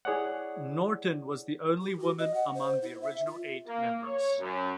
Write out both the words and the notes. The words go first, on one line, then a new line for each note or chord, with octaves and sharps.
Norton was the only woman among the original eight members.
E4 G#4 C#5 D5 F#5
G4
F#4
D#5
F#5
C5
E4
E5
F4
A#3
C#5
F#2